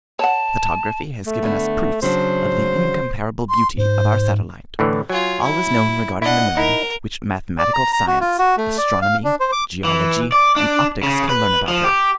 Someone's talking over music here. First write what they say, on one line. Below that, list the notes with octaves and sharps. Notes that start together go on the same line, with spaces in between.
Photography has given us proofs of the incomparable beauty of our satellite; all is known regarding the moon which mathematical science, astronomy, geology, and optics can learn about her.
C#5 F#5 A5
A3
D3 B3
C#3 F#3 D4 C5
C6
G#2 C5
A2 D3 E3
F#3 F4 G#5
E4
D4 E4 D#5 F#5
D#4 E4 A#4
D5
A#5
A#5
F#4
F4
F#4
A3
D5
F5
D4
C5
D6
E3
D5
D4
C#3
B4
F3
G4